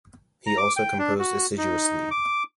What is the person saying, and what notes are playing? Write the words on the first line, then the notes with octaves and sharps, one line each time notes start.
He also composed assiduously.
A#5
D6
G5
D4
F#4
D#4
D6